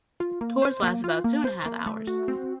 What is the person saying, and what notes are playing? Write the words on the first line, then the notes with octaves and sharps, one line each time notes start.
Tours last about two and a half hours.
F4
A#3
C5
A#3
F4
A#3
C5
A#3
A3
F#4
C4